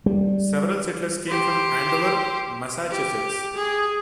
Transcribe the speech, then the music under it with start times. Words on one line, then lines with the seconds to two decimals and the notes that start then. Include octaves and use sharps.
Several settlers came from Andover, Massachusetts.
0.06 G3
1.29 G4 C5
2.90 G4
3.56 G#4